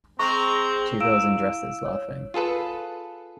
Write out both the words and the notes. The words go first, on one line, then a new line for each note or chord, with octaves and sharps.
Two girls in dresses laughing.
G#3 C4 A#5 C#6
E4 F5 E6 D7 E7
C#5
F4 G#4 A4 B4